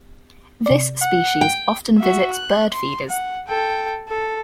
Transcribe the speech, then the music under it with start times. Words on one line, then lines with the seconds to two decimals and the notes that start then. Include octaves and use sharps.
This species often visits bird feeders.
0.66 C3 D5
1.02 F#5
1.41 G5
1.98 F#4 E5
2.32 F#6
2.72 C6
3.08 F#5
3.48 A4 G5
4.08 A4